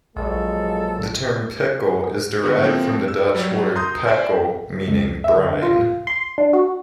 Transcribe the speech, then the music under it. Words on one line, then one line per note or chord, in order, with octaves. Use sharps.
The term "pickle" is derived from the Dutch word "pekel", meaning "brine".
A#1 F3 F#3 G#3 A#3 A4
D3 B3 F#4 A#4
F3 A#3 C4
E6
F#3 G3
A#5 C6 D#6 G6
C5 D5 E5 G#5
C#2
E5
D3
F4
C6
D4
F#4